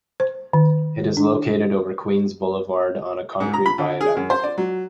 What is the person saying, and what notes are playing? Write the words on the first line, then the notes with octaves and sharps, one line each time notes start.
It is located over Queens Boulevard on a concrete viaduct.
C5
D#3
D4
G#2
A#5
B5
D3
G#4
F#2
C5
D5
F#3